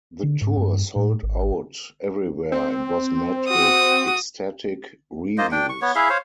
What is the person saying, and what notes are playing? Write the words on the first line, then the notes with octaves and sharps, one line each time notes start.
The tour sold out everywhere and was met with ecstatic reviews.
D3
G#2
G2
A2
G#1
C4
F#4 D#6
A#3 F4 C5 D#5
D4 G5
C#6
B3 C#5
E4 G#4 E5 F5
C5 C#5 F5